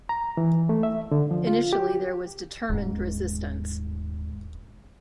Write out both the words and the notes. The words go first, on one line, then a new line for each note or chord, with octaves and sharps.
Initially there was determined resistance.
A#5
E3
A3
E5
D3
F3
F4
G4
D#1 G#2